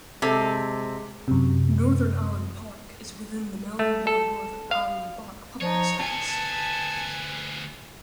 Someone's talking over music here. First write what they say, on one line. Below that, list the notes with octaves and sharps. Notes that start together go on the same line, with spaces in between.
Northern Allen Park is within the Melvindale-Northern Allen Park Public Schools.
C3 G#3 A4
F#2 C3
A3
A4
F5
F3 D#4 C#5
D2 B3 G#5 A5